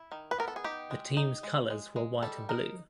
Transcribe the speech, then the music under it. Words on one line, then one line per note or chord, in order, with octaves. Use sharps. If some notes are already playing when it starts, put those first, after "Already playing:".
The team's colors were white and blue.
Already playing: E4
D#3
B4
B3 A#4
A4
G#4
D#4 G4
G#3
D#4
G#3
G#3
G#3
G3 A4
D#4 A#4